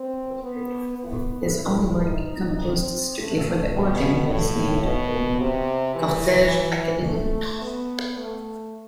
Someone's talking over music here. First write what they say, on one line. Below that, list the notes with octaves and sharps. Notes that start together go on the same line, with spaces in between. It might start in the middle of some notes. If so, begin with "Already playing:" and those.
His only work composed strictly for the organ was named "Cortege academique".
Already playing: C4
B3
B3
E4
D#4
C4
A3
B2
A2
B2
C3
E3
E3
A3
B3
A3